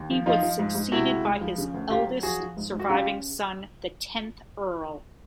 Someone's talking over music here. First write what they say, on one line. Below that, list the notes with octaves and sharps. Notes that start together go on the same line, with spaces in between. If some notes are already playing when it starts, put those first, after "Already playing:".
He was succeeded by his eldest surviving son, the tenth Earl.
Already playing: D#2
F3
F3 D#4 F4
F3
G#2
G#2
C3 E4 F#4
C#2
C#2
F3
C#3
D2
D2 F4 G4
F#3
F3 F#4 G#4
F3
G#2
G#2
F#4
C#3 F4 G4